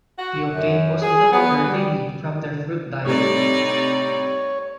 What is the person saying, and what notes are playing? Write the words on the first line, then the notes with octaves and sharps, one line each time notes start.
They obtain most of the water they need from their fruit diet.
F#4
F#2
G#4
B3
G3
A2 C3 G3 D#4 C#5 D5